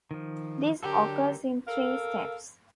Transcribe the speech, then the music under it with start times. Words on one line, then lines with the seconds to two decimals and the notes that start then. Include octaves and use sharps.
This occurs in three steps.
0.11 D#3 F3
0.83 D3 F#3 G4 A4 A#4
1.67 A4 A#4 F5